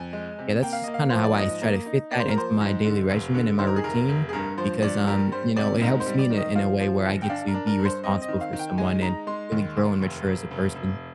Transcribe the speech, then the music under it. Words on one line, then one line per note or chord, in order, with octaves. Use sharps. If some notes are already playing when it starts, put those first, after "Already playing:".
yeah, that's just kinda how I try to fit that into my daily regimen and my routine because, um, you know, it helps me in a in a way where I get to be responsible for someone and really grow and mature as a person.
Already playing: F2 G#5
G#3
C3
A#3 G5
F5
A#3 D#5
F5
F3 C5
D5
G#2 D#5
A#3
D#4
A#3 D5
C5
A#4
F3 C5
G#2
D3
F1
D3
D#3 C5
A#4
G#4
F1 A#4
F1
G#4
G2 A#4
F3 C5
G2 D5
G3 A#4
G3 C5
C3 D5
G#2 A#4
C5
G3
D5
D#3
D#5
F3 F5
F3
G1
G5
D4 F5
A#4
D4
A#4
G2
C5
C4 D#5
D#5
D#3
F5
D#3
G5
G#3 G#5
D#4 A#5
G#3 C6
D#2
D#2
F1
F1
F1
F1